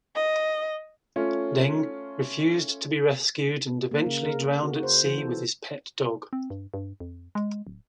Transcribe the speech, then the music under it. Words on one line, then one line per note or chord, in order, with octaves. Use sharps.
Deng refused to be rescued and eventually drowned at sea with his pet dog.
D#5
A3 C#4 F4
A#3
C#3
A#4
C#3
F#4
C5
E3
A4
C4
G2
G2
F2
G#3
D1